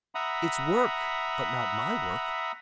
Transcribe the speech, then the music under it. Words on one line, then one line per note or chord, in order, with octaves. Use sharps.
It's work--but not my work.
E5 F#5 A#5 B5 D#6